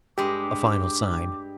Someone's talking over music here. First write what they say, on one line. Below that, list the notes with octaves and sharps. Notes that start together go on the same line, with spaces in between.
A final sign.
G2 G#3 G4 D6